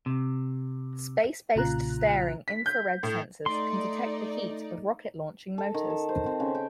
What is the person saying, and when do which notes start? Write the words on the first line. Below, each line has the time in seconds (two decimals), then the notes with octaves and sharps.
Space-based Staring Infrared Sensors can detect the heat of rocket launching motors.
0.06 C3
1.55 B1 A#2 C#3 F4 A#5 F#6
2.48 B6
2.66 G6
3.03 A2
3.46 A3 D#4 D5 C6
5.58 A4
5.74 D#3
5.90 A4
6.09 C5
6.26 C4
6.40 C#3
6.55 G5